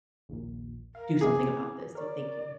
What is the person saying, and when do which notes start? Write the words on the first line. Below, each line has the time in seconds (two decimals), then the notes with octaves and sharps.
do something about this, so thank you.
0.29 A#1 D#2 A#2
0.95 A#4 F5
1.21 A#3 C4 E4 G#4 D6
1.95 A#4 C#5 D5